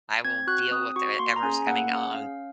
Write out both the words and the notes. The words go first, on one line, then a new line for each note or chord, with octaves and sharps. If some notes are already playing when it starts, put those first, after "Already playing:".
I will deal with, er, 'ever's coming on
C4 G#6
F#4 F#6
C4 D#6
F#4 C#6
A#3 C6
A#5
C#4 G#4 G#5
A#3 F#5
C#4 G#4
C#4 F5